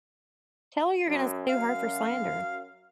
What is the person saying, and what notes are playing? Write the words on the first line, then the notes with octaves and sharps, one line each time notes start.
Tell her you're gonna sue her for slander.
F#2
F#2 F5